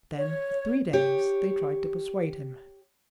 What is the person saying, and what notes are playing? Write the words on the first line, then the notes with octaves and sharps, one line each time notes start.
Then for three days they tried to persuade him.
C#5
G4 C#5